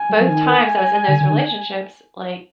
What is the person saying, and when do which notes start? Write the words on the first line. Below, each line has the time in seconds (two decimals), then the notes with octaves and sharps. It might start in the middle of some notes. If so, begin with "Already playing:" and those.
both times I was in those relationships, like,
Already playing: G#5
0.09 G3
0.20 F3
0.29 D#3 G#5
1.08 D3
1.21 D3
1.29 D#3
1.34 D3